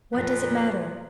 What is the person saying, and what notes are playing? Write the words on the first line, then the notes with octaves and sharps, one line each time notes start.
What does it matter?
F2 A#2 F3 B4